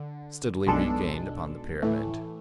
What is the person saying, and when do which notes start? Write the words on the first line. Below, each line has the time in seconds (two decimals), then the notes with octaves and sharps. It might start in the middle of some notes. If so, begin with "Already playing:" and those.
Steadily we gained upon the pyramid.
Already playing: D3
0.67 B1 B2 G#3 D4 A4
1.83 A2 E3 A3